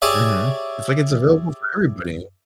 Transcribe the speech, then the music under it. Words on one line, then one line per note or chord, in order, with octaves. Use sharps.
Mhm. It's like it's available for everybody.
G4 G#4 C#5 D5 E5